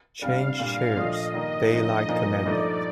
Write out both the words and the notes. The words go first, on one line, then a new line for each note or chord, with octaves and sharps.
Change chairs, Daylight commanded.
C3 G3 D4 F5
A#2 G3 D4 F5
A#2 F3 A3 D4 F4 D#5
G2 D#3 A#3 D4
D3 F3 A3 D#4
A#2 F3 A#3 D#4
G2 F3 A3 D#4 D5